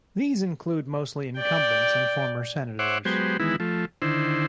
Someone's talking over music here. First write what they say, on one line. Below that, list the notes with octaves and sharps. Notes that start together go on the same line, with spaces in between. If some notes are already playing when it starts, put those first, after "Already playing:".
These include mostly incumbents and former senators.
D5 G5
C5 C#5 E5 F#5 D6
F#3 G#3 B3 G4 C5
D#3 E3 G#3 B3 E4
F3 A3
D3 D#3 E4 C5